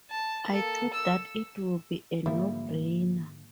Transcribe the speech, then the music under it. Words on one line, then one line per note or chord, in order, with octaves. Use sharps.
I thought that it would be a no-brainer.
A5
A#3 A4
E6
G#2 D3 F3 G3 A#3 E4